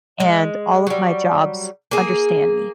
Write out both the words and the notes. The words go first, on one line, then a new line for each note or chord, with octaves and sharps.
and all of my jobs understand me,
G#3
F#3 G3
A#3 G#4